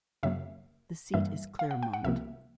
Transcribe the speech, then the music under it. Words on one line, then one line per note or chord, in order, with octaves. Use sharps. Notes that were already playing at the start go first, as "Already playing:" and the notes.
The seat is Clermont.
F#2 C#3 F#3 A#3 E5
G2 E3 G3 A#3 E5
F5
F#5
G5
F#5
C2 C3 F3 A#3 E5